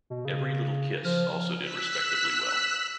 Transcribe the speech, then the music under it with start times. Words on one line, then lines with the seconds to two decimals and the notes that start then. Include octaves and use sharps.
"Every Little Kiss" also did respectably well.
0.10 B2
0.25 C#3
1.05 F3 F6
1.58 E6 F#6 B6